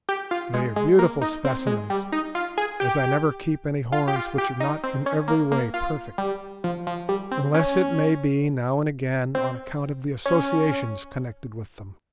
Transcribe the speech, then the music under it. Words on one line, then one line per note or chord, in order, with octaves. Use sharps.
They are beautiful specimens, as I never keep any horns which are not in every way perfect, unless it may be now and again on account of the associations connected with them.
G4
F4
G#3
G#3
A#3
D#4
C4
G#3
G3
D#4
F4
G#4
G4
F4
G4
F4
G4
D#4
C4
C#4
A#3
A#3
F4
G3
F3
F3
G3
C4
C#4
C4
C#4